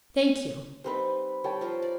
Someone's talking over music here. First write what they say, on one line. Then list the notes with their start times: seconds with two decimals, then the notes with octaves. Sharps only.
"Thank you."
0.84 G3 C4 D#4 B4 C5
1.44 G3 C#5 G5 A5
1.61 F3 A#4
1.82 D5